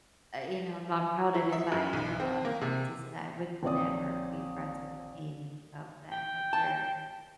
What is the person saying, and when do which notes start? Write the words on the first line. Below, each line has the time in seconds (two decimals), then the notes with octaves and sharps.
I you know, I'm not proud of it, but I have a lot of exes, and I would never be friends with any of them, like, they're
1.34 E4
1.52 E5
1.72 F#2
1.93 B1
2.20 C4
2.45 A#3
2.61 C3
3.63 A#1 C4 C#5 D5 D#6
6.11 G5
6.53 A5